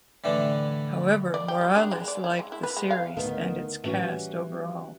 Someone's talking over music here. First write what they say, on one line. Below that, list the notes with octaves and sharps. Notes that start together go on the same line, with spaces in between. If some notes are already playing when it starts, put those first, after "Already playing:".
However, Morales liked the series and its cast overall.
A2 D3 E3 D4
D5
G4
G3
D4
G#3
D5
E4
G#3
E4
B4
G#3
F5
D2 D#3 B3
E3 G3 C#4 F#4